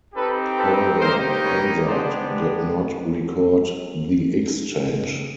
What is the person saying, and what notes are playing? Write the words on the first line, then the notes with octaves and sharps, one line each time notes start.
However, Hansard did not record the exchange.
C4 D#4 G4 A4 B4
A4 B4
A#3 D#4 G4 A#4 C5
B4 C#5
G#3 B3 D4 G4 C5 D5